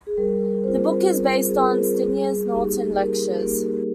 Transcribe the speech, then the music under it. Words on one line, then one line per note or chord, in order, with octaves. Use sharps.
The book is based on Steiner's Norton lectures.
G#4
G3 A#4
C4 F4 C5
G3 C5
G#4
C4 F4 A#4
G3 G#4
A#3 D#4 G4
G3 A#4
A#3 D#4 G4